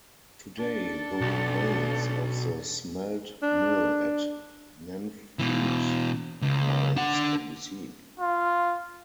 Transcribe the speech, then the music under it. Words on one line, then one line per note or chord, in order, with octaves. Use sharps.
Today the remains of the smelt mill at Nenthead Mines can be seen.
D4 A4
B1
D4
B2 E3
C#2
D4 F#5
F4